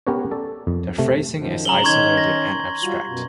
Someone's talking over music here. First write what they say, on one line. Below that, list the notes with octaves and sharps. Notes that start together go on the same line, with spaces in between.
The phrasing is isolated and abstract.
B3 C#4 G4 A#4 B4 C#5
A4 D5
F2
C3 A3
F#2 D#3 F3
C#3 F#3 G#4 A#5 F#7 G7
D#3 C#4 D#4 C6 C#6 G#6
A#6
G3 F4 F#4
F#2 B2